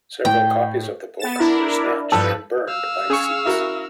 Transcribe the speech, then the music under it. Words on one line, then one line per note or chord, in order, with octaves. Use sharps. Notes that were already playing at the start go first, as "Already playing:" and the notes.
Several copies of the book were snatched and burned by Sikhs.
A2 G5
B3 A6 E7
D4 E4 A#4
G2 F3 A4 B4
F5 E6
C#4 G#4 C#6
E4 F#4 A#4